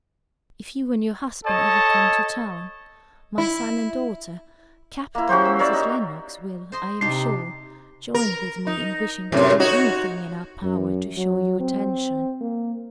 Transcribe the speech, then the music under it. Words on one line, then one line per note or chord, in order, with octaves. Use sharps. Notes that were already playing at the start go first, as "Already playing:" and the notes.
If you and your husband ever come to town, my son and daughter, Captain and Mrs. Lennox, will, I am sure, join with me in wishing to do anything in our power to show you attention.'
A4 C#5 D#5 A5
E4
A#3 E4
C#4 F#4 G4 C5
E6
A#4 C#5 D5 E5
D#4
C5 D#5 C6
C3 D4 D#4 G4 C7
A#4
D#4
F#2 A2 C3
D#4 F#4 C#5
F#2
F#3
C4
A#3